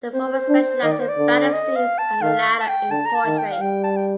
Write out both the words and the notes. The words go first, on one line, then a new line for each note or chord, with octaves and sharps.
The former specialized in battle scenes and the latter in portraits.
C4 C5
D4
D#3 D#5
D5
C5
D5
D3
D#5
F5
A5
D#3 F5
A5
G5
D3 A5
A#5
A5
D#3
G5
F5
G3 G5
A5
G5